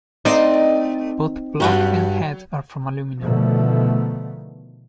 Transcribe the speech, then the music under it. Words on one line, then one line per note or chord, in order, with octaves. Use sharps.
Both block and head are from aluminium.
A3 C4 D#4 D5 D#5
G2 F#3 F#4 G4
B2 D3 D#3 F3 A3